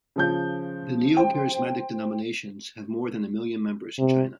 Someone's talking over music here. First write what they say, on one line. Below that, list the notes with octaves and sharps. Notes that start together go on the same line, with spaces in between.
The neo-charismatic denominations have more than a million members in China.
C#3 F3 G6
C5 G5
C3